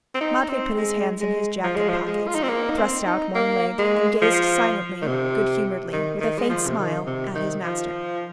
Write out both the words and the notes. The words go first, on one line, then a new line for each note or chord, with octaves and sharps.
Matvey put his hands in his jacket pockets, thrust out one leg, and gazed silently, good-humoredly, with a faint smile, at his master.
C4
D#4
D#4
C4
G#3
G#3
F3
G#3
F3
G#3
F4
D#4
C4
A#3
D#4
C4
D#4
A#3
G#3
F3
D#3
C3
D#3
D#3
G#3
F3
C3
D#3
C3
D#3
F3